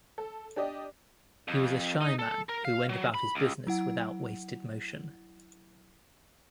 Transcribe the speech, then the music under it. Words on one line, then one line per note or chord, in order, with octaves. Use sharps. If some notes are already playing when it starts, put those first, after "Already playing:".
He was a shy man who went about his business without wasted motion.
A4
D4 G4 D5 D#5
F2
D#4
A4
A#4
F5
F#3
B5
C#2
F#3 E4 F#5